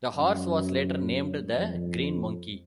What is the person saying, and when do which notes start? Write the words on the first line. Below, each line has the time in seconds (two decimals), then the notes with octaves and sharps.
The horse was later named The Green Monkey.
0.15 F#2
1.55 F2